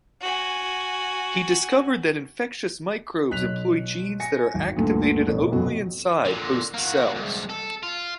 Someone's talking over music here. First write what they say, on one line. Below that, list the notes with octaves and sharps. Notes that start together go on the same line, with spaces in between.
He discovered that infectious microbes employ genes that are activated only inside host cells.
F#4 G#5
B1 F#6 B6 F7
G#5 A#6 C#7
G#1
D2 G2 A#2
A1 B2
F1 F#2 B2 F#4
A#2 D3
A#3 F#4
C2 G#2
A4
F4